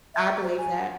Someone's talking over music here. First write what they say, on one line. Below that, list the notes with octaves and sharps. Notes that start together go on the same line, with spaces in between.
I believe that.
E5
C5
G#5
F#5